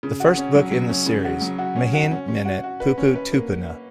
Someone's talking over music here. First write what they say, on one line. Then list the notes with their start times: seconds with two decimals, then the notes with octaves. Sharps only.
The first book in the series, Mihin menet Pupu Tupuna?
0.03 C#3
0.20 F#4
0.37 C#4
0.55 F#3
0.71 F#3
0.89 C#4
1.06 C#3
1.25 F#4
1.41 F#3
1.59 F#4
1.76 C#4
1.94 F#4
2.11 C#4
2.28 C#4
2.45 F#4
2.64 F#4
2.80 B4
2.98 C#4
3.15 B4
3.32 A#3